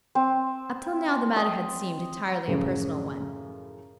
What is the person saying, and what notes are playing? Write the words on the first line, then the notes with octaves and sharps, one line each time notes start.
Up till now the matter had seemed entirely a personal one.
C4
D#5
F#2 A2 C#3 F3